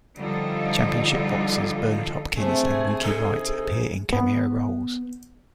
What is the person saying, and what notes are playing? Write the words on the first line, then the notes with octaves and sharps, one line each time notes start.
Championship boxers Bernard Hopkins and Winky Wright appear in cameo roles.
D3 F3 G3 D#4 F4 A4
C3 A3 D4 G#4
D#4 A4
B3